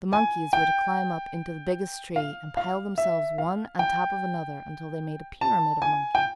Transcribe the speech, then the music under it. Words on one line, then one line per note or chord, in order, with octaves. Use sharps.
The monkeys were to climb up into the biggest tree and pile themselves one on top of another until they made a pyramid of monkeys.
G#5
G5
F5
F5
E5
F5
G5
A5
G#5
G5